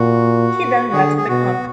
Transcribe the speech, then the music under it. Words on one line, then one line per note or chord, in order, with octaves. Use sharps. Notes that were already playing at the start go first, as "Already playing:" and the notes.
He then left the club.
Already playing: A#2 F#4
D3 G#4
G#4
B2 F#4